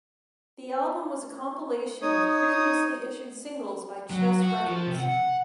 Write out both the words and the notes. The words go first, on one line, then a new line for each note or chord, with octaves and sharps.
The album was a compilation of previously issued singles by Chess Records.
D#4 C#5 D#6
F#3
F#4
F3
C3
F#5